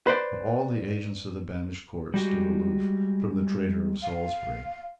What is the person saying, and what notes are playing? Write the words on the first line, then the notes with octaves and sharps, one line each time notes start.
But all the agents of the banished Court stood aloof from the traitor of Salisbury.
B4 C5 D5
G3 G#3 F#4 G4
F5